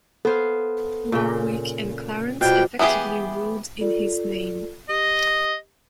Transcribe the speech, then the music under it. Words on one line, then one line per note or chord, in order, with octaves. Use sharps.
Warwick and Clarence effectively ruled in his name.
B3 A4 C5 F5
A#2 C#3 G5
B2 G3 F4 F#4 C5 G5
E3 B3 E4 G4 G#4
F4 A4 D5
G4 D#5